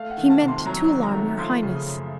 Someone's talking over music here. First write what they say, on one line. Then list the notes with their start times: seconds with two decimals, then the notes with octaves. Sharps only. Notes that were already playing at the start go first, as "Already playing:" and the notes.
"He meant to alarm your highness."
Already playing: A3 F5
0.11 F#5
0.17 D#3
0.30 A5
0.41 C3
0.48 C6
0.66 F#3 A#5
0.90 D#3
1.03 A#5
1.14 A3
1.39 F3 C6
1.63 C#3
1.75 D#6
1.88 F#2